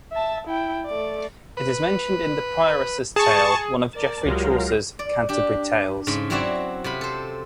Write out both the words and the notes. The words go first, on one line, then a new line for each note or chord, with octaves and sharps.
It is mentioned in "The Prioress's Tale", one of Geoffrey Chaucer's "Canterbury Tales".
E5 A5
E4 G5
A3 D5
B4
G#4 A5 C#6
A#4 D5 A5
C#2 F#3 G#3 F4 G4 A#4
D5
D4 G4
G#2 C#3 B5
F#3 C4 E4 F#4 D5 E5
C3 F4 B5
A4 C5